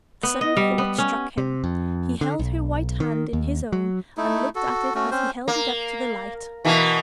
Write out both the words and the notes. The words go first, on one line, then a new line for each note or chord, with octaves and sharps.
A sudden thought struck him: he held her white hand in his own, and looked at it as he held it up to the light.
B3
D#5
G3
B3
C#4
C3
F2
D3
B1
D#3
D#2
F#3
A3 D#4 E4
F#4 A4
A3 C#4 F#4
C4 C#4 C5
A#3
B2 E3 A#3